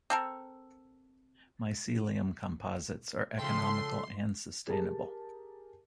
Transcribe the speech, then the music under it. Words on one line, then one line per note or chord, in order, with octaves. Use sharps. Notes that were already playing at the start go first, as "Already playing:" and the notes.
Mycelium composites are economical and sustainable.
C4 A4 A#4
C#3 F3 A3 G5 C6
G4 G#4 A#4 A5